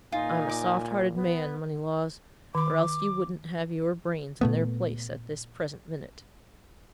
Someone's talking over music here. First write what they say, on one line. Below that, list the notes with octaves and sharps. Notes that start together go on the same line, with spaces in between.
"I'm a soft-hearted man, Moneylaws--or else you wouldn't have your brains in their place at this present minute!"
A#2 D#4 F4 G#5
D6
B3
D#3 B5 D6
A#2 A3 B3